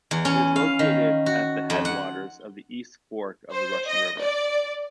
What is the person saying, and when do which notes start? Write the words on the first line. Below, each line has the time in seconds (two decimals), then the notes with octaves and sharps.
It is located at the headwaters of the East Fork of the Russian River.
0.11 E2
0.25 C#4
0.56 F5
0.79 D#3
1.26 F#4
1.70 F2
1.85 F#5
3.52 C5
3.88 D#5
4.20 D5